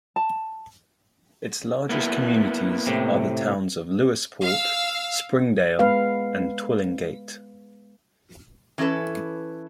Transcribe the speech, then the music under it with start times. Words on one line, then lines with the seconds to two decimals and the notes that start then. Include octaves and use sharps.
Its largest communities are the towns of Lewisporte, Springdale, and Twillingate.
0.16 A5
1.89 A#3 B3 E4
2.87 A2 C3
4.42 F5 E6
5.79 G#3 B3 B4 F5
8.78 E3 C#4 E4 A4 B4